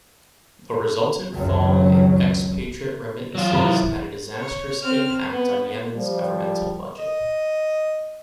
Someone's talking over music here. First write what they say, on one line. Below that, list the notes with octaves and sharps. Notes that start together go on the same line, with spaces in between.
The resultant fall in expatriate remittances had a disastrous impact on Yemen's governmental budget.
G#1 C#2 F#2 F#3
F#3 F4
G#1 C3 B5
E3
C#5
C4 F6
B3
F3 G3
D#5